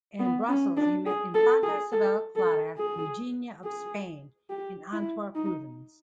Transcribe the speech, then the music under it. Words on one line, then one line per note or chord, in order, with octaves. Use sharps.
In Brussels he met Infanta Isabella Clara Eugenia of Spain; in Antwerp, Rubens.
B3
C#4
D4
G#4
A4
G#4
A4
A4
G#4
G#4
G4
E4
D#4